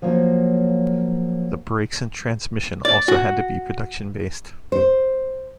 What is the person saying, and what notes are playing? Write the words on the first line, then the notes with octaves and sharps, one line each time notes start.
The brakes and transmission also had to be production-based.
F3 F#3 A#3 C#5
D5
F#4
C5